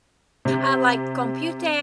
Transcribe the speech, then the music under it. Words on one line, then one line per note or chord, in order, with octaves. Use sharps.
Uh, like,, "computer"
C3